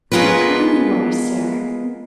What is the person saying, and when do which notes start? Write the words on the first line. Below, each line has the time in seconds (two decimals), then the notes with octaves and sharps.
"How kind you are, sir!"
0.12 G#3 B3 F4 A#4 B4